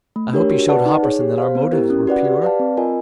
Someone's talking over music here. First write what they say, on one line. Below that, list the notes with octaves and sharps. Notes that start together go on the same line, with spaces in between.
"I hope you showed Hopperson that our motives were pure?"
A3
D4 G4 A#4 C#5
F#4
B4 D5 F#5 A5
D#4
G#4 C#5
G4
C5 F5
B3
E4 G4 A#4
C#4
F#4 B4 D5 F#5
G4
B4 D5 F5 A5
C4
F4 A#4 D#5 G#5